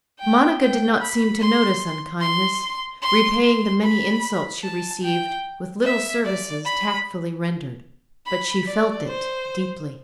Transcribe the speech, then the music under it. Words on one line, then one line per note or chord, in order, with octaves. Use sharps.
Monica did not seem to notice unkindness, repaying the many insults she received with little services tactfully rendered, but she felt it deeply.
G5
G5
B5
C6
C6
C6
C6
B5
A5
G5
E5
D5
B5
B5
D5
C5